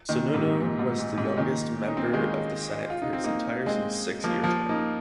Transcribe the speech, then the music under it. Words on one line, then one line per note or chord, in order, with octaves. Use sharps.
Sununu was the youngest member of the Senate for his entire six-year term.
A#2 D#3
D#3
G#2 C3
A#2
G#2
A#2
G#2 C3
A#2 D#3
D#4
C4
A#3
D#3 G#3
F4
D#4
C4
A#3 D#4
G#3 C4
F3 A#3
F3 A#3
A#3 D#4